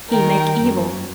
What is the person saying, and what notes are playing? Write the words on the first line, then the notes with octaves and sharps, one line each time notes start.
He make evil.
D#3 A#4 G5
F#2